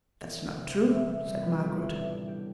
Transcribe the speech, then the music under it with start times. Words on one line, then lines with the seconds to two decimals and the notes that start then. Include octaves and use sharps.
'That's not true,' said Margaret.
0.22 E1 D5
0.56 D2 C3 G3
0.67 C5
0.89 E1 E5
1.07 E5
1.24 D2 C3 G3
1.42 B4
1.51 F4
1.59 B1 G4
1.71 F4
1.76 E4
1.93 A2 E3 G3 D4
2.10 D4
2.27 B1 G4